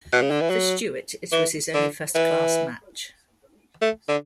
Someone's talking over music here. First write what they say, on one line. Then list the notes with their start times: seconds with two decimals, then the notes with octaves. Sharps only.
For Stewart it was his only first-class match.
0.13 B2
0.22 C#3
0.31 D3
0.41 E3
0.50 F#3
1.32 E3
1.74 D3
2.15 E3
3.82 A3
4.08 D3